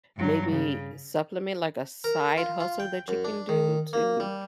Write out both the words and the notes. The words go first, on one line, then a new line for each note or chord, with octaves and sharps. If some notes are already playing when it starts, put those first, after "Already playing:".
maybe supplement, like, a side hustle that you can do to
G2 F#3
C#3
A#4
F4
F4
G5
F#2
D4
D#3
A#3
G3